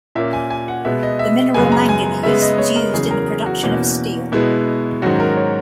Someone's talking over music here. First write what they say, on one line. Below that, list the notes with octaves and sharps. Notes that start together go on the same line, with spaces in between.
The mineral manganese was used in the production of steel.
A#2 A#3 C#4 E5
G#5
G#5
F#5
B2 G#3 B3 E5
D#5
E5
F#2 C#3 G#3 B3 G#5
A#5
G#5
C#3 G#3 B3 E5
D#5
C#5
A#4
E2 C#3 F#3 C#4 G#4
A#4
G#4
F#4
E2 B2 A#3 C#4
B2 G#3 B3 E4
G#2 D#3 F#3 C#4 F#4
A#4
C#5